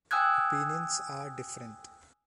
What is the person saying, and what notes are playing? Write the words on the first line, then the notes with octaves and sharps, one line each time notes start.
Opinions are different.
G5 G#5 D#6 E6 F#6 G#6